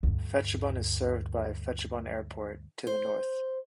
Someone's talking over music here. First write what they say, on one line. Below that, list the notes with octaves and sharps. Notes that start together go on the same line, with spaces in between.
Phetchabun is served by Phetchabun Airport, to the north.
D2 G2
C5